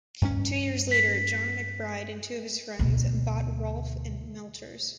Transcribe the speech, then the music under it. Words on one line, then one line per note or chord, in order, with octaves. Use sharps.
Two years later, John McBride and two of his friends, bought Rolph and Melchers.
G2 C#4
B6
D2 B2